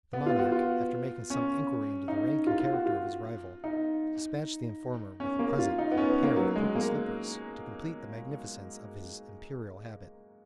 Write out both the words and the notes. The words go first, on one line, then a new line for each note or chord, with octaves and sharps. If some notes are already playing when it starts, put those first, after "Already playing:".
The monarch, after making some inquiry into the rank and character of his rival, despatched the informer with a present of a pair of purple slippers, to complete the magnificence of his Imperial habit.
B3
F4
F#4
F4
C#4
D#4
F4
F4
F#4
F4
D#4
C#4
A#3
F4
D#4
B3
C#4
B3
A#3
F#3
G#3
A#3